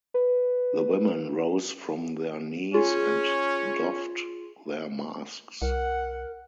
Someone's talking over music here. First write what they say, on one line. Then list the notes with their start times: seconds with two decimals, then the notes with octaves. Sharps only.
The women rose from their knees and doffed their masks.
0.14 B4
2.74 C#4 F4 G#4 C#5
5.62 C2 A#4 F#5